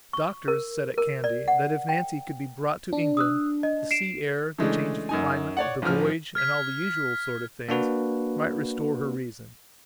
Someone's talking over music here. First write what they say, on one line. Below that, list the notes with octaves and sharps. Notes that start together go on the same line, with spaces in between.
The doctors said, at Kandy, that if Nancy could be brought to England, the sea air, the change of climate, the voyage, and all the usual sort of things, might restore her reason.
C#6
A#4
A#4
D5
F#5
G5
D4
D#6 E6 F#6
D#5
C7 D7 E7
C#3 E3 G#3 A3 D4
F#2 D#4 G#5
C#5 D5 F#5
A1 E3 F3 F6
F6 G#6 B6
A#3 D4 F#4 B4